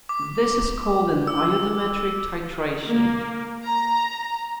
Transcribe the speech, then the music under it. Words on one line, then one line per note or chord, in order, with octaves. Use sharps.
This is called an iodometric titration.
D6
E6
A#3
A#5